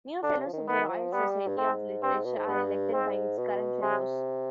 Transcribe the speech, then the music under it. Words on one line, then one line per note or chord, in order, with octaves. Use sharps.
New fellows of the Royal Society of Literature are elected by its current fellows.
D3 D4
C3
F3
D#3
D#3 B3
F3
G3 B3
G2
G#2 C4
G2 C4
G#2
B2
G#2
G2 B3
G#2 C4
B2
C3 G#3